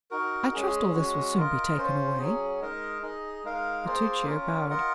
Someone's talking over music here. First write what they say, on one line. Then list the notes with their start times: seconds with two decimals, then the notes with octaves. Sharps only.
"I trust all this will soon be taken away." Bertuccio bowed.
0.11 D#4 F#4 A#4
0.53 G#3 C#4 G#4
0.94 G#3 C#4 F#4
1.36 F4 A#4 D#5
1.77 C#4 F4 C5
2.18 F#3 C#4 G#4
2.61 G#3 D#4 A#4 D#5
3.02 D#4 G#4 D#5
3.44 G#3 D#4 A#4 F5
3.84 A#3 F4 G#4 C5
4.27 C#4 F4 A#4
4.69 F4 A#4 D#5 F#5